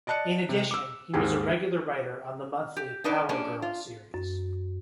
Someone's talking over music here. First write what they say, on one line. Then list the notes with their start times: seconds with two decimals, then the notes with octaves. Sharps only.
In addition, he was a regular writer on the monthly "Power Girl" series.
0.07 D5 D#5 A5 F#6 C#7
0.49 C3
0.71 D6 E6
1.14 D#2 G#2 C4 G4 G#4 G#5
2.77 G4
3.04 D4 D#4 A4 B4 D5
3.29 A#3 C#4 D4
3.62 F4
4.14 F#2